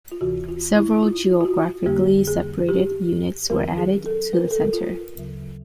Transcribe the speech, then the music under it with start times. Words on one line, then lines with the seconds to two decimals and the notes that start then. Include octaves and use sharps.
Several geographically-separated units were added to the Center.
0.12 F4
0.21 D2 C3 E3 F#4
0.49 F4
0.76 E4
1.03 F4
1.41 F4
1.45 F#4
1.86 F2 D3 G3 A#3 G4
2.27 G#4
2.69 G4
3.50 D#2 D#3 F#3 A#4
3.78 G#4
4.06 A4
4.33 B4
4.41 A#4
4.51 A4
4.60 A#4
4.73 F4
5.15 D2 C#3 F#3